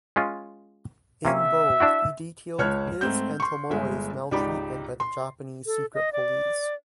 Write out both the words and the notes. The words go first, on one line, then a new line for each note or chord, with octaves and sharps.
In both, he detailed his and Tomoe's maltreatment by the Japanese secret police.
G#3 C#4 F4
C3 A#3 C#4 E5
D4 E4 F#4
C#2 C#5 A5 F6 F#6 G#6
G#2 A3 C4 G6
C6 C#6
G1 G#3 E5
C#2 G#2 D#4 G4 D5 B5
C6
A4
D#5
D5